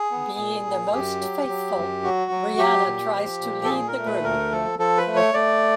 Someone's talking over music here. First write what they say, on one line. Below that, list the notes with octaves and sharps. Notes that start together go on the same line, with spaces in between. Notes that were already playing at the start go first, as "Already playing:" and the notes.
Being the most faithful, Brianna tries to lead the group.
Already playing: G#4
B3
A#2
A#2
F#2 G4
F#3
F#3
F#2
F#3 F#4
F#3
F#3 G4
A#2
F3
A#2
A4
A#2 G#4
A#4
A3
B4
D2 A#4
F3 A4
F3 A4
B4
A3
C#5
A3 D5